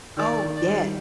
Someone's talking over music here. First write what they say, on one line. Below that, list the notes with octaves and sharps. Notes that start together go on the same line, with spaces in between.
Oh, yes.
D#3 D5
D#3
D5
G3